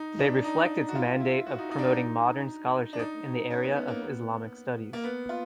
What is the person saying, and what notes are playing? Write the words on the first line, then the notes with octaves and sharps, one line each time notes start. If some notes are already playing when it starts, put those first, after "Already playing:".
They reflect its mandate of promoting modern scholarship in the area of Islamic studies.
Already playing: D#4
D4
D#4
F#4
F4
E4
F#4
D#4
D#4
D4
D#4
D4
D#4
C#4
B3
B3
A#3
B3
A#3
B3
F4